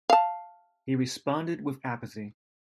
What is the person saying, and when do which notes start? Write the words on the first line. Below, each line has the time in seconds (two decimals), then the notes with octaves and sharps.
He responded with apathy.
0.10 F5 A5